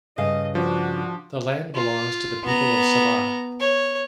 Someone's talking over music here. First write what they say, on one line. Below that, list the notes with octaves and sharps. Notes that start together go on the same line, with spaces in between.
The land belongs to the people of Sabah.
G2 C#3 D#5 F5
F3 D4 F#4
F4
B3 A#5
C#5